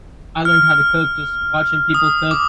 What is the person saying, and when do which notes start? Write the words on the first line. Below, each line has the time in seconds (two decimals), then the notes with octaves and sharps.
I learned how to cook- just watching people cook
0.45 F6
1.94 D#6
2.31 D6